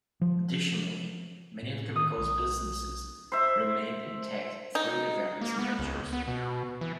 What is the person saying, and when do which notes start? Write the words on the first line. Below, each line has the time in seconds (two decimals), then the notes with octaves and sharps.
Additionally, many of Chemical's businesses remained intact through the various mergers.
0.21 F3
1.63 A2
1.96 D#3 D#6
2.18 B1
3.32 C5 E5
4.75 D#4
5.41 A#3
5.59 B3
5.79 C#2
6.13 B3
6.28 B2
6.81 E3